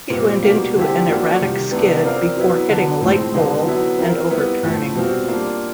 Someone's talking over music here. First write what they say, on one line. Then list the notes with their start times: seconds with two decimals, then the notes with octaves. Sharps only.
He went into an erratic skid before hitting a light pole and overturning.
0.10 A#2 G3 C4
0.43 B2 G3 A#3
0.75 D3 G3 C4 E4 G4
1.08 F3 A#3 D4 F#4 A4
1.39 C3 D#3 G3
1.71 C3 E3 G3 B3 D4
2.04 C4 F4 A#4 D5 F5
2.37 F#3 B3 E4
2.69 D3 F#3 B3
3.01 A2 F3 G#3 C4
3.34 D3 G3 B3 D#4
3.66 F#3 B3 E4
3.98 C4 F4 A#4
4.30 G3 B3 E4
4.63 A2 F3 A3
4.95 B2 G3 C4 F4
5.27 G3 A#3 D4 F4